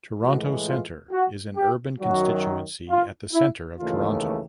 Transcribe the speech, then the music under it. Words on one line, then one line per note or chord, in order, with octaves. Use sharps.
Toronto Centre is an urban constituency at the centre of Toronto.
A2 E3 G#3 F#4
F4
F#4
G4
F#2 D#3 F#3 F#4
F4
E4
D#2 C#3 E3 A3 F4